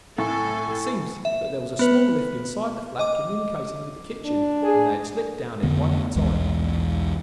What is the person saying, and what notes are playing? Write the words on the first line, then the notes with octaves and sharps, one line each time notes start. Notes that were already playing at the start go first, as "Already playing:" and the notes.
It seems that there was a small lift inside the flat communicating with the kitchen, and they had slipped down it one at a time.
A2 A4 G#5
E5
B3 B4
D#5 D6
D4
G#4
F2 D3 A3 B3
B1 E2 E3 G#3